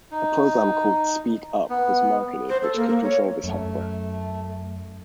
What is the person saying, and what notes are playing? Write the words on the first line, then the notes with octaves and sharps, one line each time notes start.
A program called "S.peek.uP" was marketed which could control this hardware.
D#4
B3
C5
A4
A#3
A#3
C#5
F#2 A3